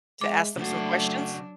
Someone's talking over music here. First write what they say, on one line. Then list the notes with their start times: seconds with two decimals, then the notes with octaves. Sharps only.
to ask them some questions?
0.21 G#3 E5 D6
0.57 C#3 F#3 A3 D4 F#4